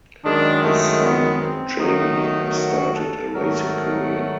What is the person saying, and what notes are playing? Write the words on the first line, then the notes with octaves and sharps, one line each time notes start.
His son Jamie has started a racing career.
F#2 D#3 G#3 D4
A3
B3
C4
F#2 D#3 F#3 A3 D#4
F#4
A4
G#2 D#3 F#3 A3 A#4